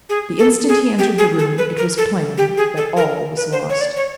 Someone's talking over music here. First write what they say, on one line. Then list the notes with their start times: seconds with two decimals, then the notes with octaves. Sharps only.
The instant he entered the room, it was plain that all was lost.
0.09 G#4
0.39 A4
0.69 G#4
0.99 G4
1.18 G#4
1.39 A4
1.58 B4
1.78 A#4
1.98 A4
2.38 G4
2.58 G#4
2.77 A4
2.97 A#4
3.37 B4
3.52 C5
3.70 C#5
3.81 D5
3.96 C#5